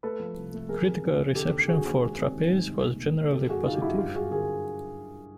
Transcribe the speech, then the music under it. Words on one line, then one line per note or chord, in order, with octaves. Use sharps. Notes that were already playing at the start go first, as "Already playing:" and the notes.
Critical reception for "Trapeze" was generally positive.
A3 A4 B4
F3
C2
A3
F3 G#4 A#4
C3
C3
C3
D3 G4 A4
D#2
D3 F#4 G#4
D#2
G#3
C4
D#3
G#2
C2
A#2
A#2
A#2
D3 G4 A4
F#2 F#4 G#4
D3 D#4 F4
G4
F#2 E4 F#4
G2 F4 G4
G2 F#4 G#4
D3 G#4 A#4